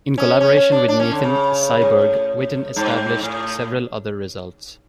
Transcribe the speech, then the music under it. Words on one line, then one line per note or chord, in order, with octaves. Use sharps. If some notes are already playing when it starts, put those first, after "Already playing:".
In collaboration with Nathan Seiberg, Witten established several other results.
C#4
C#4
C#4
D4
D4
C#4
D3
C#3
A2
G#2
A2